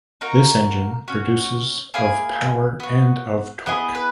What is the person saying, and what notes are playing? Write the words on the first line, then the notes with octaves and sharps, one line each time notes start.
This engine produces of power and of torque.
A#3 D#4 F#4 A#5
C#4 F#4
A#3 E4 G#4 G#5
B3 F#4
B3 E4 G#4 D#5
B4